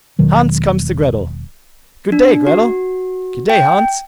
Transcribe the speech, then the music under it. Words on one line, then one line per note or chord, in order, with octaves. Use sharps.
Hans comes to Gretel. 'Good day, Gretel.' 'Good day, Hans.
E1 B2 D#3 F#3
D4
F#4
G5